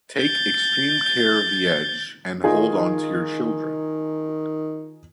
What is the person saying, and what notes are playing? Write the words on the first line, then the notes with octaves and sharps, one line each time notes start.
Take extreme care of the edge, and hold on to your children.
G6 A6
D#3 D#4 F4 G#4